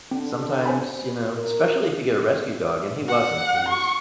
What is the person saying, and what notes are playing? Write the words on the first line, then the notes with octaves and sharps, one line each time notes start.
sometimes, you know especially if you get a rescue dog, and he wasn't. He was
D3 C4
C5 G#5 B5
A#4
F#5
C#6